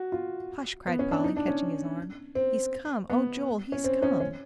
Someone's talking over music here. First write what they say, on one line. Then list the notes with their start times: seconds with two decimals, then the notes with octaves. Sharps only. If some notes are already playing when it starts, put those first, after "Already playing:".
"Hush!" cried Polly, catching his arm, "he's come--oh, Joel--he's come!"
Already playing: F#4
0.12 F4
0.87 B3
0.99 C#4
1.11 D4
1.24 D#4
1.37 D4
1.48 C#4
2.35 C4
3.10 B3
3.72 C#4
3.84 C4
4.02 C#4
4.20 C#4